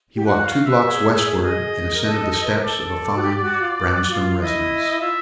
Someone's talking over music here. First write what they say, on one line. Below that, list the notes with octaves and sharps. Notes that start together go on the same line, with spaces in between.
He walked two blocks westward and ascended the steps of a fine brown-stone residence.
G4
F#4 F#5
F#5
F5
E5
G#4
D#5
A#4
A4
B4
A#4
A4 D5
F#4
G4
G4
F#4
F4
F#4
F4
E4 D#5
F4 E5